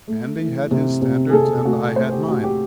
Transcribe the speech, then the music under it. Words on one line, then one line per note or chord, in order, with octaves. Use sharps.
Andy had his standards and I had mine.
A3
E3
C3
C3
G#4
C3 A4
A3 F#4
A3 C5
G4
A3 F#4
G4